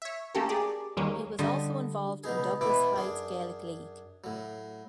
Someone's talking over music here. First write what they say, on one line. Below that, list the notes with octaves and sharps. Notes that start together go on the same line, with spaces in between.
He was also involved in Douglas Hyde's Gaelic League.
C#5 E5
A3 A#3 C#4 G4 A4 A#4
G4 G#4 D5
E2 D#3 G3 G#3 A#3 C#4
D3 G3 D#5
C#2 B2 D#4 G#4
B2 E3 E4 D6
F#2 D4 G#4
A2 F#3